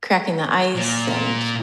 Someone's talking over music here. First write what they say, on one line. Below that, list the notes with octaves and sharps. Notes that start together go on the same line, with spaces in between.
cracking the ice and
A#2